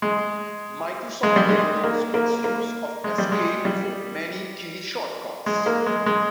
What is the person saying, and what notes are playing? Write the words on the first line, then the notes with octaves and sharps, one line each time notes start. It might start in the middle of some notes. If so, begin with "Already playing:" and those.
Microsoft Windows makes use of "Esc" for many key shortcuts.
G#3
G#3
G3
G#3
A#3
A#3
A#3
G#3
G3
G#3
G3
G#3
A#3
G#3
G#3